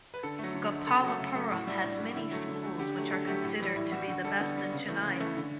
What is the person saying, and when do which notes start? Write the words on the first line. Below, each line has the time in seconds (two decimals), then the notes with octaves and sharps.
Gopalapuram has many schools which are considered to be the best in Chennai.
0.14 B4
0.23 D3 A4
0.39 F#3 A3
0.54 D3
0.72 F#3 A3
0.87 C#3 A4
0.97 F#4
1.03 F#3 A3 A4
1.20 C#3
1.35 F#3 A3
1.51 A2 F#4
1.67 G3 E4
1.84 A2 D4
2.00 G3
2.16 D3 E4
2.31 F#3 A3
2.48 D3
2.63 F#3 A3
2.79 D3 G4
2.96 F#3 A3
3.11 D3 A4
3.27 F#3 A3 G4
3.44 A2
3.60 E3 G3
3.76 A2 E4
3.92 E3 G3 F#4
4.08 D3 F#4
4.24 G3 A4
4.40 D3 B3
4.57 G3
4.72 C#3
4.89 E3 A3
5.04 C#3 C#4
5.20 E3 A3
5.37 D3